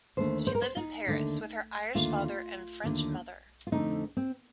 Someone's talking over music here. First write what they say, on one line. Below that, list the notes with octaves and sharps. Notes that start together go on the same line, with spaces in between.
She lived in Paris with her Irish father and French mother.
D#2 D3 A3 C5
C5
A#4
C5
D#4
D#2 D3 A3
D#2 D3 A3 F4
D#2 D3 A3
F4
F2 D3 A3 C4 D#4
C4